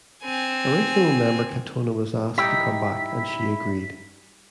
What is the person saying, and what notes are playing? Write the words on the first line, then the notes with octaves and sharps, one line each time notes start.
Original member Katona was asked to come back, and she agreed.
C4 G#5
G3 D#4 E4 G5 B6